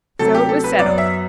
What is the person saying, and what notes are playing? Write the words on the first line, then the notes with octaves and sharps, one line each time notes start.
So it was settled.
C3 F#3 A3 A4
G4
A4
B4
F#2 F#3 B3 D5
E5